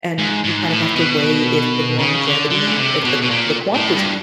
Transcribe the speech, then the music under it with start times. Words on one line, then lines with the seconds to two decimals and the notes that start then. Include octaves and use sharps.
and, you kinda have to weigh if the longevity, if the q the quantity,
0.19 G#2
0.44 G#2
0.69 A2
0.96 B2
1.99 C#3
2.25 D3
2.51 D3
2.67 C#3
2.78 C3
3.03 B2
3.21 B2
3.29 A#2
3.75 A2
3.94 G2